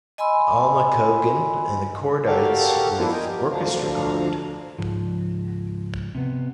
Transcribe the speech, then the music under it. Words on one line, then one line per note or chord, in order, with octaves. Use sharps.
Alma Cogan and The Kordites with orchestra cond.
D#5 G#5 B5 C6 E6
F#4 G4 A4 A#4 F5
F3 A#3 B3 D4 E4 F4
A#4 D#5 G5 G#5
G4 A#4
D2 D3 F3 D4 F5 A#5
C#2 G#2 F3
C3 B3